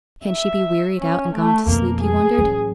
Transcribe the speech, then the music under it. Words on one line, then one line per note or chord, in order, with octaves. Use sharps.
Can she be wearied out, and gone to sleep, he wondered.
E5
C#4
A3
F2 B2 A#3
G#4
A1 F#3